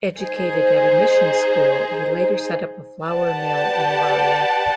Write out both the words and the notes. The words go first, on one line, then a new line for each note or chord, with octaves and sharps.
Educated at a mission school, he later set up a flour mill in Warea.
D#4 G#4 C5
G4 B4 D5 F#5 A5